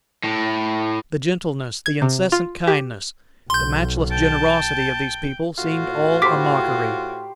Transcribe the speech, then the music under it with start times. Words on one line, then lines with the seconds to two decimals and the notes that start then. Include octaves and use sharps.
The gentleness, the incessant kindness, the matchless generosity of these people seemed all a mockery.
0.23 A2
1.86 G#6
2.02 C3
2.32 F4
2.67 G4
3.50 B1 C6 G6
4.11 G5 A5
5.58 A2 F4 F#4
6.22 G4 C5 B5 D6 B6